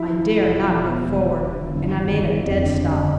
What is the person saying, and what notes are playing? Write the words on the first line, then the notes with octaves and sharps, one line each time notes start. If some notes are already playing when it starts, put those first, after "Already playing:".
I dare not go forward, and I made a dead stop.
Already playing: F3 E4
F3
E1
F3
E2
E1
E1
D3
G1 D4
G1
D3
F2
D3
D3